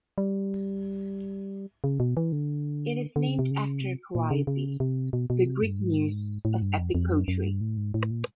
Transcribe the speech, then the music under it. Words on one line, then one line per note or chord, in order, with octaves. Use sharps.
It is named after Calliope, the Greek Muse of epic poetry.
G3
C#3
B2
E3
D3
D3
C#3
C3
C#3
C3
A#2
C#3
C#3
C3
B2
B2
C3
G2
G#2
A2
G2
F2
F2
F#2
F#2
G2
A2
G#2
A2
A#2